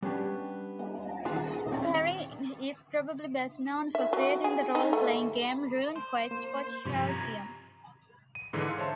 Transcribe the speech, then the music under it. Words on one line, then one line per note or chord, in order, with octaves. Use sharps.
Perrin is probably best known for creating the role-playing game "RuneQuest" for Chaosium.
G3 B3 C#4 D4 G4
D#4 F4 G#4 F5 F#5 A5
D#2 C4 C#4 E4
E5
F#3
G#4
D#4
A3
C5
A#3
G2 C3 E3 F3 C#4
A#5 G#6
D#7
G#2 D3 E3 G#3
F5 C6 C#7
C5 C#5 E5 A5 C6